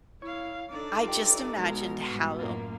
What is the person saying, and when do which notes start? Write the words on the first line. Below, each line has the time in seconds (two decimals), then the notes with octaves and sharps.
I just imagined how
0.22 E4 C#5 F5
0.70 D4 D#4 A4 D5
1.04 G2 F4 G4 G5
1.57 B2 G#3 A#4
2.08 G#2 G3
2.39 F#2 A2 A#3 F4